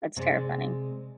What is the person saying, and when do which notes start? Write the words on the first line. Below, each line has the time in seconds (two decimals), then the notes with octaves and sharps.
That's terrifying.
0.17 C3 G#3 D5